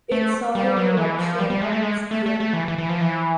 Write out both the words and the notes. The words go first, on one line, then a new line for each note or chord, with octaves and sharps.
It saw the reelection of Rusty Bailey.
A3
G3
F#3
E3
F3
G3
G3
G#3
A3
G#3
A3
A3
A3
E3
E3
E3
F3
E3